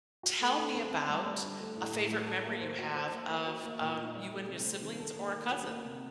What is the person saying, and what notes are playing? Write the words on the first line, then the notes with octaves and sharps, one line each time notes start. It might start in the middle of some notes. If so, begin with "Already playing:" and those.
Tell me about a favorite memory you have of, um, you and your siblings or a cousin.
F#4
A3
A3
C4
A4
G3
G3
D4
A3
A2
A2
F#3
A4
A#3
C5
F#4
C5
A#3
A#3
F#4
A#3
A#2
D#4
G3
A3
C3
C4
D#3
A4
A#3
A#3
F#4
A#3
C3